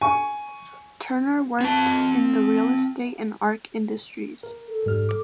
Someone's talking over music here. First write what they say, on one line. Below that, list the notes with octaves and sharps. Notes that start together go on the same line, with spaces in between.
Turner worked in the real estate and art industries.
G#5 C#6
C4 A5
A#4
A4
G#2 G3 F6
D6